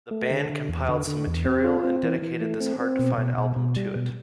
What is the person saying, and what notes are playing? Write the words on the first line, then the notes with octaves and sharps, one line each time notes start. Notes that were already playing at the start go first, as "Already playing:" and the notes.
The band compiled some material and dedicated this hard-to-find album to it.
A3
D3
D3
E2
D3
D3
E2
C4
F4
C4
E3
E3
A3
C4
C4
B2
B2
B2
B2
G3
B2